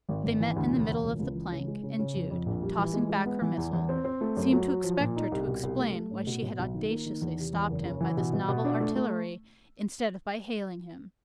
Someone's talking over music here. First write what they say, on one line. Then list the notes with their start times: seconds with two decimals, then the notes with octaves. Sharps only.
They met in the middle of the plank, and Jude, tossing back her missile, seemed to expect her to explain why she had audaciously stopped him by this novel artillery instead of by hailing him.
0.09 G#1
0.24 G#1
0.40 E3
0.56 D2
0.72 E1
0.88 E1
1.04 C#2
1.19 C#2
1.35 E3
1.52 C#3
1.67 G#3
1.83 C#3
1.99 C#3
2.14 F2
2.31 F2
2.46 A#1
2.62 G3
2.78 E3
2.93 G#3
3.09 G#3
3.26 B3
3.42 E3
3.57 E2
3.73 E2
3.89 C4
4.04 C4
4.21 A3
4.37 F#2
4.52 F#3
4.68 F#3
4.84 F3
5.00 A#2
5.16 D#4
5.32 C2
5.47 B2
5.63 C2
5.79 A3
5.95 A3
6.11 A2
6.27 B2
6.43 B2
6.59 B1
6.74 D#3
6.90 A#3
7.06 D#3
7.22 E2
7.38 C3
7.53 E2
7.69 F#1
7.85 C#3
8.00 E3
8.17 B2
8.33 B2
8.48 B2
8.65 D4
8.80 A3
8.96 A3